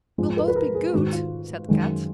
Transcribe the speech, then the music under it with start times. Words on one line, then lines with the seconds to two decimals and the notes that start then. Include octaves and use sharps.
"We'll both be good," said Kat.
0.18 G#2 F3 G#3
0.37 B4
0.48 B4
0.56 A#4
0.75 G#4
0.93 G#2 D#3 G#3 F#4
1.13 F4
1.68 F#2 D#3 G#3